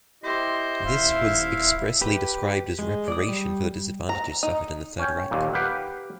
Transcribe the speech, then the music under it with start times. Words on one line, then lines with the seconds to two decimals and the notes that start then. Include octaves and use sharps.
This was expressly described as reparation for the disadvantages suffered in the Third Reich.
0.24 E4 G4 C5 D#5
0.84 D#1 E4 E5 F5
2.01 G4 B4
2.79 G#3
3.08 D5 D#6
3.29 G3
4.09 A#5
4.43 D#4
4.99 C#4 G5
5.31 D#2 A#2
5.53 G4 B4 F5 F#5